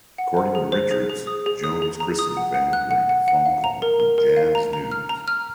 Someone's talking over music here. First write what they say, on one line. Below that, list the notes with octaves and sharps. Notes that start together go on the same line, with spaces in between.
According to Richards, Jones christened the band during a phone call to "Jazz News".
F#5
C5
G#4
C5
G#4
G#4
D#6
G#4
D#6
G#4
A#5
D#6
F#5
F#5
F#6
F#5
F#5
F#5
F5
A#5
A#4
A#4
A#4
F5
A#5
A#5
F6
A#5
F6